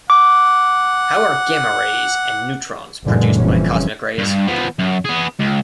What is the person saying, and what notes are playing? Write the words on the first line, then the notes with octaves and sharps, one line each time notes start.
How are gamma rays and neutrons produced by cosmic rays?
F#5 D6
F#1 F#2 A#2 D3 E3 G#3
F1 E3 F3 G3 C#4
G2
F3 B3
F#2
B3 G#4
C#2